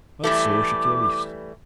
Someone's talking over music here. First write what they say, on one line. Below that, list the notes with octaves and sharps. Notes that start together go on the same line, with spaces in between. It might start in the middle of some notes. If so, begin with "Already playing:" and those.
And so she came east.
E3 G3 A3 D6